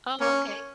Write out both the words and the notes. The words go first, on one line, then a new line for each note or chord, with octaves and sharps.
Oh, okay.
A#3 C#4